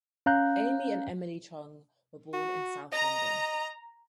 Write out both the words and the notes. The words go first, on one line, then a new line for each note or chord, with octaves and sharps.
Amy and Emily Chung were born in South London.
C#4 F5 A#5 F#6 G6
F#4
D#5 A#5